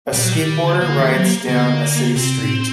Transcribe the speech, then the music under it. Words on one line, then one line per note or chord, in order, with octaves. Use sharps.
A skateboarder rides down a city street.
A#2 G3
F#3
D#3 G3
D3
D3 A#3
D#3
F#3
D3 A#3
C3 C4
A2